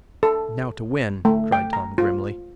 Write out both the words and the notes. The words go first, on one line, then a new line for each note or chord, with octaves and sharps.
"Now to win!" cried Tom, grimly.
A4
A3
G5
A#5
F4